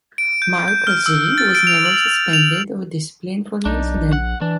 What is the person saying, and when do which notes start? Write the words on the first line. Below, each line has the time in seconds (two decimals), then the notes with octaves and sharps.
Markazi was never suspended or disciplined for the incident.
0.18 D7
0.42 G6
0.68 G6
0.87 F6
1.06 E6
1.38 A6
1.55 D7
1.67 F7
1.85 F#7
2.33 F7
3.65 B1 D4 D#4
3.97 A#1
4.13 F#5
4.41 E3 D4